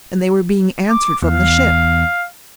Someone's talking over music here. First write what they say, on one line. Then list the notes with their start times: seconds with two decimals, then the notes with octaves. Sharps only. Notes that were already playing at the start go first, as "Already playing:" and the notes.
And they were being answered from the ship!
0.90 D6
1.23 E2 F5